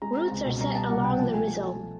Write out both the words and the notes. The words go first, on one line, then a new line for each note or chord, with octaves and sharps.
Roots are set along the rhizome.
G#3 A#5
C4
C#2
B2
G3 A#5
B3 A5
C2 F#5
B2 G5
F3 A5
A3 G#5